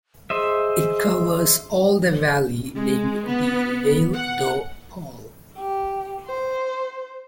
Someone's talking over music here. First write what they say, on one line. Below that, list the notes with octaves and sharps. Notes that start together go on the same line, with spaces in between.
It covers all the valley named the Vale do Paul.
G#4 C5 D#5 E5
G#3
B3
F#5
G4
C5